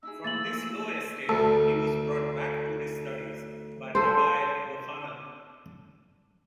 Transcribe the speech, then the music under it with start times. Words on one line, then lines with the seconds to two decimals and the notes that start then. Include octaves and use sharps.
From this low estate he was brought back to his studies by Rabbi Yochanan.
0.03 D#4 E4 G#4 E6
0.24 F3 A3 A#3 A6 F#7
1.29 D2 A4
3.95 A4 C5